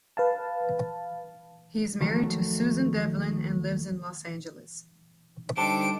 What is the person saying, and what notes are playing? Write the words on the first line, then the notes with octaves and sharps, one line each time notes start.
He is married to Susan Devlin and lives in Los Angeles.
B4 F5 A5
D#2 D#3 F3 F#3 A3
D3 G3 D#4 G4 C5 D#5 A5 D7